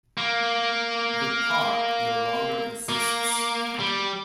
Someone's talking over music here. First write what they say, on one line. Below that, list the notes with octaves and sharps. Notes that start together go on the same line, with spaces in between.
The park no longer exists.
A#3
A#3
G3